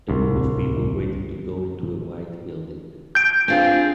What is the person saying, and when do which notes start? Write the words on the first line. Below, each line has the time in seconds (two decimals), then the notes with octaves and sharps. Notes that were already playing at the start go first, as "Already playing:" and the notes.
A group of people waiting to go into a white building.
0.08 D1 C2
3.15 G6 D7
3.48 C4 D4 F4 G#4